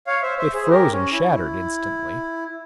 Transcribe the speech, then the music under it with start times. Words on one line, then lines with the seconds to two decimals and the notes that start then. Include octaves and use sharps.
It froze and shattered instantly.
0.07 C#5 F5
0.22 C5 E5
0.38 C5 E5
0.54 G#4 C5
0.64 C5
0.70 G4 A#4
0.91 C#4
1.12 E4